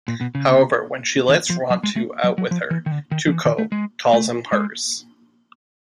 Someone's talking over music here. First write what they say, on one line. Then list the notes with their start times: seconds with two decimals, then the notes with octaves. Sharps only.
However, when she lets Rontu out with her, Tutok calls him hers.
0.08 A#2
0.21 B2
0.35 C#3
1.29 D#3
1.50 F3
1.70 F#3
1.83 G#3
1.96 A3
2.24 F#3
2.38 F#3
2.51 F3
2.71 E3
2.86 D#3
2.91 D3
3.11 D#3
3.27 F3
3.32 E3
3.46 D#3
3.58 A3
3.72 G#3
4.13 A3
4.53 G#3